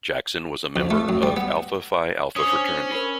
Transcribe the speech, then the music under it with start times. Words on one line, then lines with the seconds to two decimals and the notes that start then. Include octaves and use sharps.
Jackson was a member of Alpha Phi Alpha fraternity.
0.76 F2
0.91 A3
1.09 F#2
1.23 G3
1.37 B3
2.36 C#4 D4 C5 G#5 D#6
2.92 A#4 C5 B5